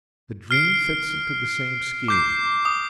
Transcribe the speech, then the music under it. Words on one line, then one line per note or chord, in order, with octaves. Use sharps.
The dream fits into the same scheme.
F6 C7 D7
D6 G6 C7
D#6